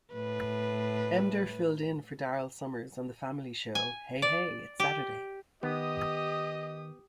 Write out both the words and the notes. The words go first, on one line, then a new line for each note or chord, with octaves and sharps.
Emdur filled in for Daryl Somers on the family show "Hey Hey It's Saturday".
A2 B4
G#5
D5
G4
D#3 B3 G4 D#5 D#6